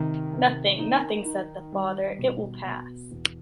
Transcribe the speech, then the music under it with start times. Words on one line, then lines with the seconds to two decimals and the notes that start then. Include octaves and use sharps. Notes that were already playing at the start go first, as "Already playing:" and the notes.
Nothing, nothing,” said the father, “it will pass.
Already playing: C3 D#3
0.33 C3
0.79 D#4
1.25 D#4
1.72 G3
2.18 B2
2.64 B2
3.11 E2